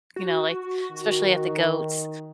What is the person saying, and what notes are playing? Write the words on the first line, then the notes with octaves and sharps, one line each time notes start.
you know, like, especially at the goats
F#4
D#3